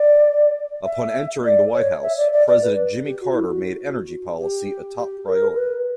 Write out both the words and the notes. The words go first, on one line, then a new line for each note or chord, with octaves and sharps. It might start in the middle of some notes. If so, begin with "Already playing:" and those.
Upon entering the White House, President Jimmy Carter made energy policy a top priority.
Already playing: D5
E5
D5
C#5
E5
D5
D5
D5
B4
G4
F#4
E4
F#4
G4
G4
A#4
B4